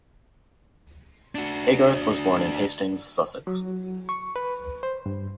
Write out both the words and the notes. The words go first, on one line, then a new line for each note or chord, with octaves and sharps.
Haygarth was born in Hastings, Sussex.
D4 F#4
F#3
C#6
B4
C5
G2